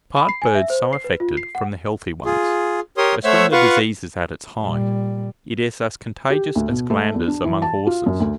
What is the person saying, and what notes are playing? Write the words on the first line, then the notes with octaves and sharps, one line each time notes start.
Part birds so affected from the healthy ones, as, when the disease is at its height it is as contagious as glanders among horses.
B5
C7
G#5
E5
C5
C7
B4
F4
C7
F#5
F4 G#4
G4 A#4 C#5 C6 D#6
A3 C5 C#5 E5 F#5 E6
F4 B4 F5 F#5 C#6
A#2 G3
G4
D2
B2
A3
E2
D4
E3
A5
F4
F#2
D2